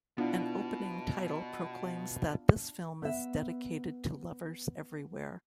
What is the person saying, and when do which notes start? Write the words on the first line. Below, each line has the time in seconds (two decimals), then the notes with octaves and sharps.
An opening title proclaims that this film is dedicated to lovers everywhere.
0.18 B2 B3 D4 E4 F4
3.02 B3 E5